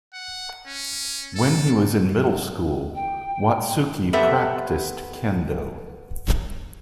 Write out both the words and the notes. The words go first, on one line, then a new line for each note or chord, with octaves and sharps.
When he was in middle school, Watsuki practiced kendo.
F#5
C#4
A4
G5
B3 C4 G4 A4 B4 E5